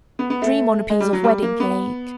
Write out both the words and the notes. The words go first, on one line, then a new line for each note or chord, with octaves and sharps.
Dream on a piece of wedding cake.
B3
B3
A3
G#3
G3
F#3
G3
A#3
B3